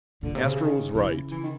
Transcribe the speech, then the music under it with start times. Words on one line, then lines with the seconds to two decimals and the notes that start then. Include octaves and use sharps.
Astro was right.
0.23 A#2 D3
0.35 C3
0.48 C#3
0.60 D#3
0.95 C#3 E3
1.31 E3
1.43 D#3